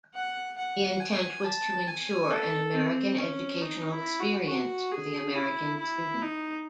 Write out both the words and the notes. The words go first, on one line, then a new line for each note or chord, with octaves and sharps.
The intent was to ensure an American educational experience for the American student.
F#5
F#5
G#5
A5
G#5
A4
C4
C#4
D#4
E4
F#4
F#4
G#4
E4
E4
D#4